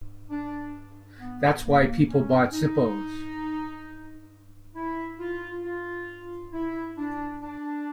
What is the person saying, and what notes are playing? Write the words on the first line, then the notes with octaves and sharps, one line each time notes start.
That's why people bought Zippos.
D4
B3
A#3
C#4
D#4
E4
F4
F4
E4
D4
D4